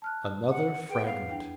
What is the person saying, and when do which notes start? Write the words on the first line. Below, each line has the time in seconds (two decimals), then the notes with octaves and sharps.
Another fragment.
0.02 A5 F6 F#6
0.50 F#5
0.89 G#4 B4 F#5 G5
1.05 B3 F5
1.29 E2 D4 G5